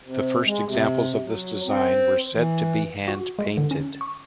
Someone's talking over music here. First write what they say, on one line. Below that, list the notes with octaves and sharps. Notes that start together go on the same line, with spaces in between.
The first examples of this design were said to be hand-painted.
C3
G#3
C3
F#3
C4
E3
F#4
G#3
D3
C#4
C#6